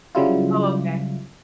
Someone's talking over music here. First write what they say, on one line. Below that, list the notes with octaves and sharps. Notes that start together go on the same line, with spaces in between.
Oh, okay.
C#3 F#3 G3 E4 F4